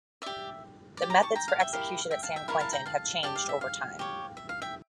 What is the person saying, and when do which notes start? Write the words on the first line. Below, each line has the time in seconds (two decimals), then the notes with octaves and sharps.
The methods for execution at San Quentin have changed over time.
0.22 G4 D5 E5
0.97 G4 D5
1.10 A#5 D6
1.22 A5 C#6
1.35 G5 A#5
1.48 F5 A5
1.60 E5 G5
1.73 E4 G4 A#4 F5
2.11 E5 G5
2.23 F5 A5
2.36 E5 G5
2.48 E4 A#4 C#5 F5 A5
2.60 F5 A5
2.73 G5 A#5
2.86 F5 A5
3.23 G4 D5 F5 A5
3.36 F5
3.49 E5
3.61 F5
3.99 G4 C#5
4.37 E5
4.49 F5
4.62 E5 G5